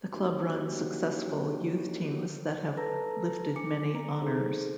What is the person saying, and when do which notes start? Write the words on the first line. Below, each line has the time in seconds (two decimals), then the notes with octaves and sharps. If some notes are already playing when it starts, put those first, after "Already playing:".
The club runs successful youth teams that have lifted many honours.
0.12 F#3 A#3 C#4 D#4 F#4 G4
2.77 A4 B4 A5 A#5 E6 A#6
3.56 G#5 D6 C#7
3.95 B3 A#5
4.21 D#4 G#4 A4 C5